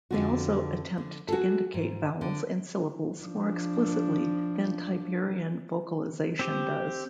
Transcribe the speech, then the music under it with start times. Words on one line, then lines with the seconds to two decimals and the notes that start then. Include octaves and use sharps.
They also attempt to indicate vowels and syllables more explicitly than Tiberian vocalization does.
0.11 F2 D3 F#4
0.98 D3
1.28 F#4 G#4 A4
1.74 G#2
2.21 D3
3.24 F3 D4
6.39 C4 G4